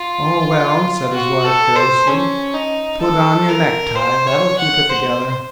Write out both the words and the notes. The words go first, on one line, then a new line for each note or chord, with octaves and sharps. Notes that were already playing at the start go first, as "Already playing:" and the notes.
"Oh, well," said his wife, carelessly, "put on your necktie--that'll keep it together."
Already playing: F4
F#4
A4
C5
C#4
D#4
A4
A#4
C5
C#5
F#5
C5